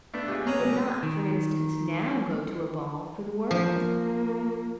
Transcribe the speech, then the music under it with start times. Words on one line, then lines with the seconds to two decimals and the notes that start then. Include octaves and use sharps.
You would not, for instance, now go to a ball for the world.
0.14 A3 B3 D4
0.28 C#2 G4 G#4 D#5
0.47 C#4 A#5 D#6
0.60 A#1 C3 F#3 D5
1.03 D#3
3.51 F3 A#3